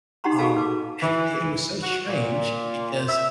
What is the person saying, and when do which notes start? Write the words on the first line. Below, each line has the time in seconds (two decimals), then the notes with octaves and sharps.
Um, and i it was so strange because
0.24 D#4 G4 F#5 A#5 C6
0.38 F#4 G#4 A4 F5 A5 A#5
0.57 B4 D6
1.02 E3
1.82 F#4
2.07 A#2
3.07 E5